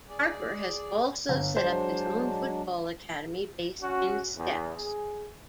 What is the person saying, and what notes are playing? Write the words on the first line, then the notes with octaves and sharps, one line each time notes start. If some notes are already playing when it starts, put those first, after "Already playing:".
Harper has also set up his own football academy based in Stepps.
G#4 D5
G1
F#3 G#3 D4 C5
C#4 F#4
E2
G#4